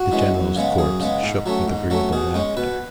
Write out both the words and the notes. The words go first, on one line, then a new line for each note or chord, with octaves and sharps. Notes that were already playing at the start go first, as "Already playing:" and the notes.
The general's corpse shook with agreeable laughter.
Already playing: F#4
E3 G#3 C#4
F#2
C#3 G#3 B3
F#2 G#4
C#3 G#3 B3
G#2
F#3 A3 C#4
G#2
F#3 A3 C#4
B2 G#4
G#3 C#4
B2 B4